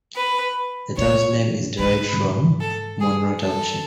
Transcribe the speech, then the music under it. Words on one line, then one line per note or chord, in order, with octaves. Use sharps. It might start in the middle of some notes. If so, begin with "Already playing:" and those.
The town's name is derived from Monroe Township.
B4
A2 C#5
G#2 B4
A4
G#4
A4